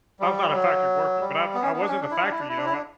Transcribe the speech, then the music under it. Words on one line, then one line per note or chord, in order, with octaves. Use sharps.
I was not a factory worker, but I I was in the factory, you know, I
G3
F#3
G3
B3
C#4
B3
D4
C#4
D4
E4
D4
E4
D4
E4
D4
E4
D4